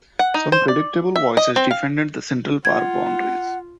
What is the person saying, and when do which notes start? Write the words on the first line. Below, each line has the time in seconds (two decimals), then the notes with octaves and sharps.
Some predictable voices defended the Central Park boundaries.
0.19 F#5
0.34 D#4
0.52 C5
0.68 D5
1.16 E5
1.37 D#5
1.56 C4
1.71 F5
2.65 F4 F#5 G#6